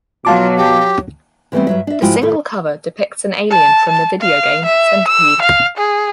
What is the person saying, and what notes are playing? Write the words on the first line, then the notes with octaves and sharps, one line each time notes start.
The single cover depicts an alien from the video game "Centipede".
B2 F#3 F4 F5 A5 D6
G4
D3 E3 G3 A3 B3 C4
G2 F#3 E5
D4 E5
G#2 F3 G#3 E4 F#4 G5
D#2 A2 A4
A5
A5
F5
E5
E6
F5
G#4